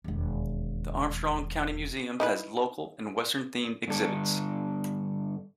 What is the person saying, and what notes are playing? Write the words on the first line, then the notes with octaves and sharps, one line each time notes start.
The Armstrong County Museum has local and western-themed exhibits.
E1 D#2
D#4 E4 B4
G2 D3 A4